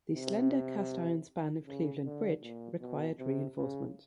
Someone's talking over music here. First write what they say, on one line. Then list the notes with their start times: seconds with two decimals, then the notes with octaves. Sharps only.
The slender cast iron span of Cleveland Bridge required reinforcement.
0.15 C3
1.67 C#3
2.05 D3
2.43 A#2
2.81 B2
3.19 C3
3.57 C#3